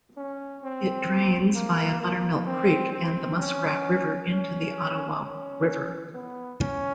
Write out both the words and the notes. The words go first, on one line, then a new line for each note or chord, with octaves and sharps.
It drains via Buttermilk Creek and the Muskrat River into the Ottawa River.
C#4
C4
A#3
A#3
C4
C4
C#4
C#4
C#4
B3
C#4